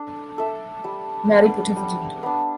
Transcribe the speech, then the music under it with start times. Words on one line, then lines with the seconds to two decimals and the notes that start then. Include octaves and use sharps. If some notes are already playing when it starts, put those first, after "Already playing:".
Mary put her foot into it.
Already playing: D4 A4
0.38 A4 E5
0.84 G3
1.30 B3 D4
1.76 G3
2.23 B3 D4